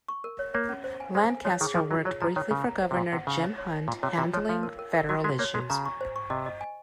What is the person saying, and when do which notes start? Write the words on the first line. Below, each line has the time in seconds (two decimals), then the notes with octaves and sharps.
Lancaster worked briefly for Governor Jim Hunt handling federal issues.
0.08 C#6
0.24 A#4
0.39 C#5
0.54 A#3 C#5
0.69 C#4
0.84 C5
1.00 G#5
1.14 G#3 C5
1.30 G#5
1.45 F3 C#5
1.61 D#3 G#4
1.75 F3 G#4
1.91 F#3 F4
2.05 F#3 C#5
2.21 F3 A#5
2.36 D#3 C#5
2.51 C#3 A#4
2.67 A#5
2.82 C5
2.91 C3
2.97 A#2 C5
3.12 C3 F#5
3.27 C#3 D#4
3.43 C#5
3.58 C#5
3.73 D#4
3.88 A#2 F4
4.03 C3 C#5
4.18 C3 F4
4.34 F3 C#5
4.49 F3 F5
4.63 A#4
4.79 A#4
4.95 A#4
5.09 F#3 F#4
5.24 G#3 F#4
5.39 A#3 C#5
5.54 G#3 F#4
5.70 C#3 A#5
5.85 C#6
6.01 C5
6.16 C#6
6.30 C3 D#5
6.46 D#5
6.61 G#5